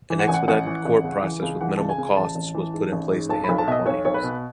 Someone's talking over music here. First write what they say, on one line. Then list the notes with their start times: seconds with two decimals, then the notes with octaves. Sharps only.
An expedited court process with minimal costs was put in place to handle claims.
0.10 E3
0.19 F#5
0.27 A1 G#5
0.34 F#5
0.48 A1 F#5
0.67 E3
0.85 A1
1.04 C#2
1.23 E3
1.42 C#2
1.61 E3 F#5
1.77 C#2 A5
1.89 G#5
1.98 C#2
2.17 A1 A5
2.35 A1
2.54 E3
2.74 G#2
2.93 A1
3.11 G#2
3.30 B1 A5
3.44 B1 B5
3.58 A5
3.67 B2 E5
3.72 D#5
3.86 B1 C#5
4.05 B1 C#5
4.14 B4
4.23 B2